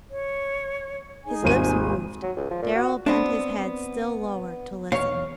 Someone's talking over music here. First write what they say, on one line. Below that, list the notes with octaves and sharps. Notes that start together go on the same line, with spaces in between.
His lips moved; Darrell bent his head still lower to listen.
C#5
D#4 G#4 G#5
D#1 G#1 D#7
F#3
C#2
F3
A#2
F#4
B3 C4 D4
B1 E2 C#5 F5